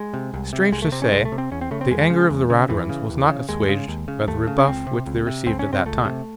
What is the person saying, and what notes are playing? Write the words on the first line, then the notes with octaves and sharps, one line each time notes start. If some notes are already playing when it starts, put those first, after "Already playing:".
Strange to say, the anger of the Raturans was not assuaged by the rebuff which they received at that time.
Already playing: G#3
C3
C2
C3
C2 G#3
A3
C3 C4
C#4
C2 G#3
A3
C3
C4
E2 C#4
C4
C#3 A3
C4
E2 G#3
C#3
E2
C#3
E2 E3
C#3
D#2
C#3
D#2 G#3
C#3
D#2
C#3
D#2 A3
C#3
C#4
C#2 C4
C3
C#2
C3
C#2 C4
C#4
C3
C4
C#2 A3
C3